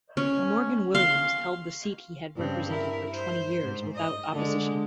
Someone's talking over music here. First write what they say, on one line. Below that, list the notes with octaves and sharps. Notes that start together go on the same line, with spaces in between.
Morgan Williams held the seat he had represented for twenty years without opposition.
C#4
F5 C6
G2 C#3 C4
E4 A#4
C5
G#2
D#5
D3 G#3